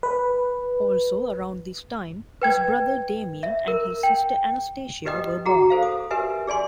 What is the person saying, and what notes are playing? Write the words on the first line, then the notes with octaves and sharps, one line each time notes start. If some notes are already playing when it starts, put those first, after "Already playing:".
Also around this time his brother Damian and his sister Anastasia were born.
B4
B4 G5 G#6
E5
A#4
G5
G4 B4 D#5 G5 D#6
F#4 G#4 F#5 A#5
A4 C5 F5
D#6
G4 A#4 B4 E5 G#5
G#4 D5 G#5 C6